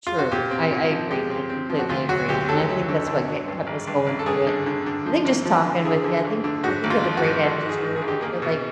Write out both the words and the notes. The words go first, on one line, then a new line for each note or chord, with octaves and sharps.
True. I I agree, I completely agree. And I think that's what get kept us going through it, and I think just talking with you, I think I think you have a great attitude, and I feel like
F4
F#4
A#2 G4
C4
A#2
F3
G#3 G4
C4
C4
F3
F#4
D2 F4
F#3 F#4
D2 G4
F#3 A4
F#3
D3
D3
F#3
G2
G#1
G2
G#1
A4
G2 G#4
D3
D3
D3
F3
G#1
F3
D3
D3 G#4
D3
G#1
D3
G#2 F#4
G#1
F4
F3
F#4
G#2
G#1 A4
G#2
G#4
G#2
G#4
G#1
G4
A#3 G#4
B2